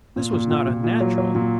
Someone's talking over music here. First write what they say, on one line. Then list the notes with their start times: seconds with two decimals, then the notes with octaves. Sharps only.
This was not unnatural.
0.16 A#2
0.33 A#2
0.50 A#2
0.68 A#2
0.84 A#2
1.01 F#3
1.18 F#3
1.35 A#2